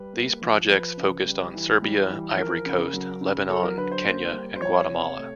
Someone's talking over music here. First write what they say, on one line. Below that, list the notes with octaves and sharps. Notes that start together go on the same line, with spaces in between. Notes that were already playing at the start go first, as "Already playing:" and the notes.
These projects focused on Serbia, Ivory Coast, Lebanon, Kenya and Guatemala.
Already playing: G3 B4
A#3
F3
F3 B4
C#3
G3
E3
G3
E3
F3 A#4
C#3
F#3
C#3
F#3 A4
A#4
D3 B4
C5
A#3
G3
C5
F3 C#5
C3
A3